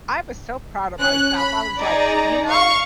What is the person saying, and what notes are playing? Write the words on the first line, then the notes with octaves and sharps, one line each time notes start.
I was so proud of myself. I was like, "You know,
C#4 F#6
B5
D#4 G#4 D5 A#5
F5 C#6